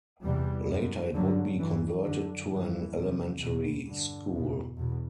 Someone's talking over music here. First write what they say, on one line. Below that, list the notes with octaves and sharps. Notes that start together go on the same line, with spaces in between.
Later it would be converted to an elementary school.
E2 C3 E3 G3
F#2
G2 D3 F#3
G2 E3
F#2 D3
G2 E3
E2 C3
E2 B2
G2 D3
E2 B2
E2 B2